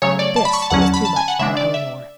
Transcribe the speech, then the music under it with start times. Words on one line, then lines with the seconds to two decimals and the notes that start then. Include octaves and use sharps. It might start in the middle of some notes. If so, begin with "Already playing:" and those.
This was too much for Eleanor.
0.02 C#3 F#3 A3 C#5
0.19 D5
0.36 A5
0.45 B5
0.53 C#6
0.62 A5
0.70 E2 D3 F#3 C#4 F#5
0.82 A5
0.94 B5
1.05 A5
1.16 G#5
1.28 F#5
1.39 C#3 G#3 D4 E5
1.57 D5
1.74 E5